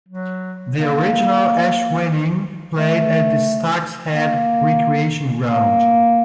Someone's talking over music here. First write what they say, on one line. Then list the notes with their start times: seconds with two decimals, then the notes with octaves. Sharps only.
The original Esh Winning played at the Stags Head Recreation Ground.
0.09 F#3
0.75 A#3
2.78 A3
4.13 A#3
5.47 A#3